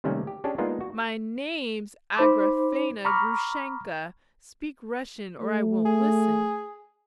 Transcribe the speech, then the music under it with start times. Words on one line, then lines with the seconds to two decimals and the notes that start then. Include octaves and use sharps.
"My name's Agrafena, Grushenka, speak Russian or I won't listen!"
0.04 C3 D#3 G3 A3 A#3 C#4
0.27 G4
0.44 C#4 D4 G4 G#4 A5
0.58 G#3 A#3 B3 D4 D#4 F4
0.81 F#4
2.16 D#4 C5 B5 D6
3.05 A#5 B5 C#6 D6 F6
5.39 A3
5.85 G#4